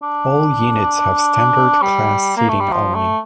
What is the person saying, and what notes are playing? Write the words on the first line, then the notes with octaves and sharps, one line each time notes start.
All units have standard class seating only.
D4
G3
A#3
A3
G3
F3
A3